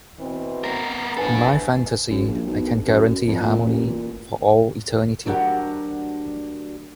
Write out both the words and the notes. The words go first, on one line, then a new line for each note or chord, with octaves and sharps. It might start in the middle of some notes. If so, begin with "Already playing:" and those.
In my fantasy, I can guarantee harmony for all eternity.
B2 E3 C4
B3 A#4
F3 B3 D4 E4 A4 B4 G#5
F#2
A#1
B1
F#2
F2
A#2
A1
A#2
D2 F#3 D4 G4 A#4 F#5